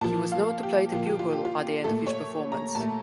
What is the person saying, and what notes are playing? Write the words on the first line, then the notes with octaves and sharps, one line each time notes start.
He was known to play the bugle at the end of each performance.
A#2 F3 A#3 A5
F5
G4
A#2 F3 A#3 F4
G4
F4
G4
F4
A#2 A3 A4
C#5
A#5
A#2 A5
A3